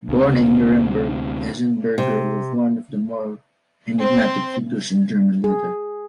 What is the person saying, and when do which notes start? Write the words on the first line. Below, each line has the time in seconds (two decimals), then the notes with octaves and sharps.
Born in Nuremberg, Enzensberger was one of the more enigmatic figures in German letters.
0.09 D2 C3
1.98 C3
3.99 C4 C5
5.44 G#4